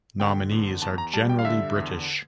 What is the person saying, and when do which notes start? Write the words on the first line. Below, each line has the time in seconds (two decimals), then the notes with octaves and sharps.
Nominees are generally British.
0.20 D3 G5
0.51 E2
0.82 E2 A5
0.98 A#5
1.14 G3 A5
1.29 G5
1.39 F5
1.45 D3 E5
1.76 E2